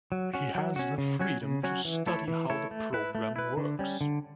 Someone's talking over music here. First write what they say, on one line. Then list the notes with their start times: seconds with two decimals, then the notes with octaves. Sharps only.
He has the freedom to study how the program works.
0.12 F#3
0.34 C#4 F#4
0.55 F#3
0.76 C#4 F#4
0.98 C#3
1.20 F#3 C#4 F#4 C#5
1.41 C#3
1.63 F#3 C#4 F#4 C#5
1.85 E3
2.06 A3 E4 A4 C#5
2.28 E3
2.50 A3 E4 A4 C#5
2.71 A3
2.93 E4 B4
3.15 A3
3.36 E4 B4
3.57 D3
3.79 G3 C#4
4.01 D3